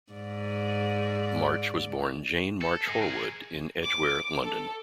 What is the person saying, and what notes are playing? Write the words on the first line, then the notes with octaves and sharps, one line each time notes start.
March was born Jane March Horwood in Edgware, London.
G#2 D5
A4
D#4 G#4
G#4 A#4
D6
A4